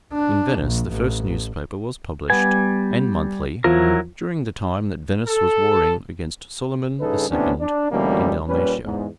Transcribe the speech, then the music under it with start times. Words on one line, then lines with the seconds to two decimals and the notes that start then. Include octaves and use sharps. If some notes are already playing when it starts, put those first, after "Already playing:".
In Venice the first newspaper was published, and monthly, during the time that Venice was warring against Solyman the Second in Dalmatia.
0.13 D4
0.60 A#1
0.92 A1
2.30 G3 B3 G#5
3.64 E2 F3 F#3 E4 A#4
5.26 A4
7.00 G2 C#3 D#4 G#4 A4 B4
7.30 A2 C3 E3 B3 C#4 D4
7.60 D4
7.92 D2 B2 E3 G3 A#3 C#4
8.47 A#2 G3 C#4 B4
8.84 E2 G#2